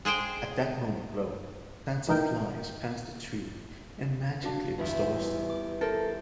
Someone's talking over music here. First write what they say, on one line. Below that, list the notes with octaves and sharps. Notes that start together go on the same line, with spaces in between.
At that moment though, Santa flies past the tree and magically restores them.
G#3 G#4 C5 G5
D2 E3 D#4 A#4 G5
D4 F#4 F5
G1 E2 E5
D6
A4 A#4 C5